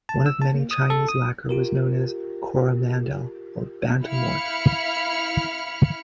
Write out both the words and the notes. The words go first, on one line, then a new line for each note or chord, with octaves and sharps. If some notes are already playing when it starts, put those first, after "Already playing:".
One of many Chinese lacquer was known as "Coromandel" or "bantomwork".
A5
E6
A5
A#3
D#6
A4
D#6
F4 G4 A#4
E4 F5 B5 F6 C#7